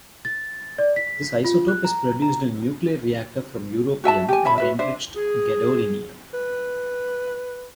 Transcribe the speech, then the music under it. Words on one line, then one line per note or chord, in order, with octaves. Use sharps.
This isotope is produced in a nuclear reactor from europium or enriched gadolinium.
A6
D5
B6
F4
F#6
A#5
A#5
F#4 E5 G#5 A5
G4 G#5
C#4 E5 A5 B5
F#4 B4 E5
D4 C5 E5
G#4
B4